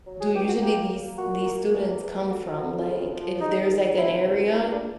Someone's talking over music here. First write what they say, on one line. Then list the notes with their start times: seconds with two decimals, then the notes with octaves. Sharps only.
do usually these these students come from?" Like, if there's, like, an area,
0.06 F#3
0.20 G#4
0.34 C#2 G4
0.47 F#4
0.62 A#3 G4
0.90 A#3
1.17 A#2 F#4
1.45 A#3
1.73 E2
2.01 E2
2.29 D2 F#4
2.56 D2
2.85 C#3
3.12 F3
3.41 G#2 D#4
3.68 D#3
3.96 C3 E4
4.25 C#2
4.51 G2 E4
4.70 D4